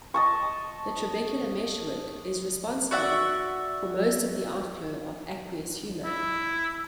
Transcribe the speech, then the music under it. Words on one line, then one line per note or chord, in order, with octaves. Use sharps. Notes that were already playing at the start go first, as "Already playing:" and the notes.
The trabecular meshwork is responsible for most of the outflow of aqueous humor.
D#5 A5 C#6
F#4 D5 E5 F#5
E4